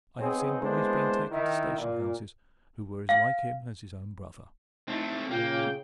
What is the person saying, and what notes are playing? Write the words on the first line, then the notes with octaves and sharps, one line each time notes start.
I have seen boys being taken to station-houses, who were as like him as his own brother.
F#3 B3 C4 D#4 G#4
G#3 A#3 B3 D4 E4 C5
D#3 E4
A#2
F5
A3 C4 D#4 E4
A#2 C#3 A#3 F4 G5